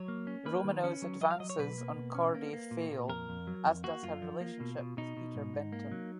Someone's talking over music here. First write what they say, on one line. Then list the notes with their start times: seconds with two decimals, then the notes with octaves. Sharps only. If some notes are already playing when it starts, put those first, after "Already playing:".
Romano's advances on Corday fail, as does her relationship with Peter Benton.
Already playing: F#3 C#5
0.08 A#3
0.27 C#4
0.46 A#3 B4
0.64 D#3
0.84 C#4
1.02 F#3
1.21 F#3 D#5
1.31 F5
1.40 F#3 D#5
1.50 C#5
1.59 B2 B4
1.78 A#3
1.96 B2
2.15 C#4
2.34 A#3
2.53 A#3
2.71 A#2
2.90 A#2
3.09 F2 A#4
3.29 F2
3.47 F#3
3.66 F2
3.84 A#3 F#4
4.03 F#2 F4
4.22 F3
4.41 A#3
4.60 B2
4.78 B2
4.97 B2 D#4
5.17 B2
5.35 G#2
5.54 G#2
5.72 A#3
5.92 F#3